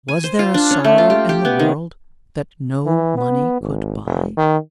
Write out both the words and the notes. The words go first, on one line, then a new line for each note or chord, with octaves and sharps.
Was there a sorrow in the world that no money could buy?
G#5
C5
F4
D4
C#4
A3
F4
G4
G4
B3
D#3
E3
B3
G#1
F1
D#3